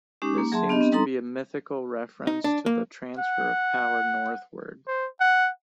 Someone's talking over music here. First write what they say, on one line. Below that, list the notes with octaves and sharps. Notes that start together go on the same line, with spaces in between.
This seems to be a mythical reference to the transfer of power northward.
G#3 C#4 D#4 G4 D6
A#3
F#3 G#4 E5 A5 C6
B3 D4 G4 D#5
C4
G3 C4 D#4 A4 A#5 C6
D#4
D4
A#3
F#5
C5
F#5